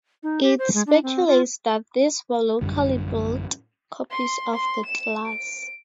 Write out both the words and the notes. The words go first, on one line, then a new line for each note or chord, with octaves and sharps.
It speculates that these were locally built copies of the class.
D#4
G4
C5
G#3
D4
C4
F4
A1 F#2 D3 G3
C6
C6
E7
D7